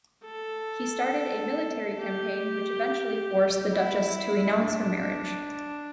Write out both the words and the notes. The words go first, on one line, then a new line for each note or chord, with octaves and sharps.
He started a military campaign which eventually forced the duchess to renounce her marriage.
A4
G4
E4
D4